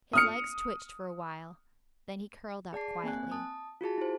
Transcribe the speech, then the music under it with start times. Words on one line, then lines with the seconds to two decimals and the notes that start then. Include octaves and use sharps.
His legs twitched for a while, then he curled up quietly.
0.13 D#6 F6 C#7
2.73 G#4 D5 A5 C7
3.03 A#3 C4 G#5 F#6
3.31 A5 D#6
3.81 F4 F#4 G#4 A5
3.98 E4 C5